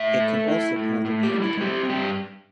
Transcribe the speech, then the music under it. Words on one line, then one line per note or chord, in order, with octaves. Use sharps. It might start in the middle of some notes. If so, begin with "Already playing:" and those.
It can also handle Unicode.
Already playing: A2 E5
A3
E4
A2
A2
G4
G3
E4
C4 G4
G2 G4